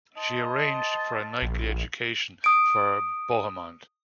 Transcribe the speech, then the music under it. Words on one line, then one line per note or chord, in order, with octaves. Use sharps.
She arranged for a knightly education for Bohemond.
C5 D#5 A5
A#1
D#6 D7